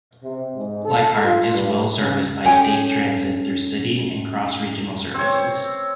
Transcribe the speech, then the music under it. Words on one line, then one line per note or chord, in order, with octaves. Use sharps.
Leichhardt is well serviced by State Transit through city and cross regional services.
C3
G#2
A4
F4
G2
C#3
C#4 A4 C#5 G5 G#5
C4 C#5